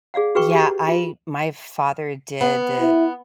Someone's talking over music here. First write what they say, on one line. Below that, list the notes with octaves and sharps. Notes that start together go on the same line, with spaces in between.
Yeah, I my father did, eh,
G#4 D5 F5 F#5
F#4 G#4 B4 G5 C#6
G4 F#5
F4
B3
E4